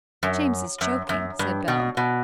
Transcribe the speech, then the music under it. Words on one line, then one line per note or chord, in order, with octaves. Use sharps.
"James is joking," said Bell.
F#2
F#2
F#2
G2
B2
B2